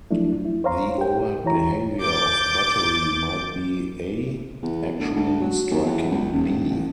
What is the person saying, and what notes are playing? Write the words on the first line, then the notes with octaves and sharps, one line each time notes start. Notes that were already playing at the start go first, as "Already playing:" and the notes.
The overt behavior of battery might be A actually striking B.
F3 F#3 A3 D4 E4
E4
C5 C#5 F5 A#5 C6
G4 G5
E3 E4 C#5 A#5
D6 G6 A6
E2
D2
D2
F#3
D#2
E2
C#2
D#1
A1